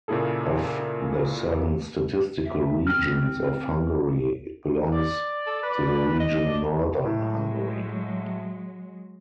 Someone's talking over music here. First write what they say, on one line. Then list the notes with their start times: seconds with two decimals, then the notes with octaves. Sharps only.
Of the seven statistical regions of Hungary it belongs to the region Northern Hungary.
0.08 A#2 C#3 A#3 E4 G#4 A4
2.44 E5
2.87 C4 F6
4.93 D5
5.47 A4
5.63 B4
6.20 D#5
6.45 D4
7.05 A2 F#3 G#3